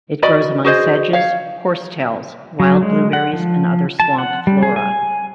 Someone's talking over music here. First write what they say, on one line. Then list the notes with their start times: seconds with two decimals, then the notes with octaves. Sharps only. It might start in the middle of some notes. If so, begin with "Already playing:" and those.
It grows among sedges, horsetails, wild blueberries, and other swamp flora.
0.22 F#4 D5 D#5 B5
0.65 F#4 G#4 C5 D#5
1.13 C#5 F5
2.60 F#3
2.82 G#3
3.13 F#5
3.33 F3
4.00 A5
4.18 F#5
4.47 G3
4.63 G#4
4.76 G#5